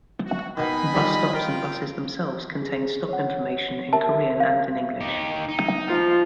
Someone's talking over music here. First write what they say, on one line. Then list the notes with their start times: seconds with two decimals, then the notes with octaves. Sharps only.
Bus stops and buses themselves contain stop information in Korean and in English.
0.25 F#4
0.57 B2 D#3 D#5 G#5 B5
0.94 G3 D#4 F4
1.33 F4 A#4 G5
2.62 G#4
3.09 C#5 F#5
3.93 G4 A#4 E5 A5
4.40 F5
5.01 D#4 G4
5.49 D#4
5.89 F3 F4